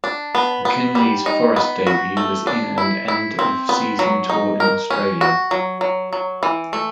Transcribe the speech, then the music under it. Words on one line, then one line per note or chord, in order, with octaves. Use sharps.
McInally's Forest debut was in and end of season tour in Australia.
D4
B3
B3
G3
D#4
B3
F#4
A3
D4
E4
E4
C4
B3
F#3
D#4
A#4
C#4
F#4
F#3
F#3
F#3
E3
A3